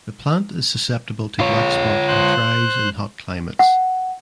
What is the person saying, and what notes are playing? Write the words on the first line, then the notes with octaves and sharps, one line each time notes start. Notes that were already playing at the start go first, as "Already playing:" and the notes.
The plant is susceptible to blackspot and thrives in hot climates.
F4 C#5
C5 F#6
F#5